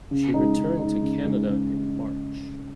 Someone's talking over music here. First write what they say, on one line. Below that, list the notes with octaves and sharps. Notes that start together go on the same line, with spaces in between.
She returned to Canada in March.
C#3
G#3 D#4
C#3
G#3 D#4
C#3
G#3 D#4
C#3